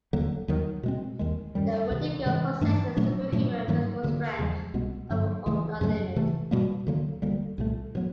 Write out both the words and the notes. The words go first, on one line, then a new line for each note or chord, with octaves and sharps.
The Wendigo possesses superhuman physical strength of an unknown limit.
D#2 D3 F#3 A#3
D#2 D#3 F#3
B2 G#3 C4
D#2 D#3 G#3
F#2 D#3 G3
C#2 C3 E3
C3 E3 G#3 C4
G2 E3 A3 D4
A#2 F#3 A3 D4
A#2 F#3 A3 D4
G#2 D#3 F#3 A#3
D2 D3 G3 A#3
E2 C#3 F3 G#3
C2 B2 G#3 B3
G2 D3 F#3 A#3
C#2 C#3 E3 A3
F#2 C#3 F#3 A3
C3 E3 A3
B2 G3 A#3
D2 D3 F#3 A#3
D2 D3 G3 A#3
C2 A#2 F3 A3
B2 F#3 B3